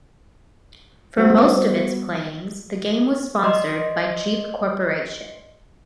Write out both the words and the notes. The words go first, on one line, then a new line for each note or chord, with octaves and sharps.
For most of its playings, the game was sponsored by Jeep Corporation.
G3 B3 F#4 C5
D5 D#5 C6